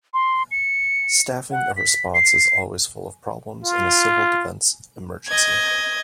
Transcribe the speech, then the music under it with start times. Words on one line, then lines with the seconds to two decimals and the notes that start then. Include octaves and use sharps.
Staffing a response is always full of problems in a civil defense emergency.
0.14 C6
0.51 C#7
1.51 F#5
1.77 B6
2.15 C7
3.64 F4
5.28 D#5 G#6